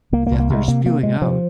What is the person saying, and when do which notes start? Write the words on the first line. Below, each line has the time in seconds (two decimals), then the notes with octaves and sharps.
that they're spewing out
0.12 C2 A#3
0.26 A#3
0.31 C2
0.39 A#3
0.49 C2 G#3
0.68 C3 A#3
0.86 C3 A#3
1.03 C3 G#3
1.22 C3 F3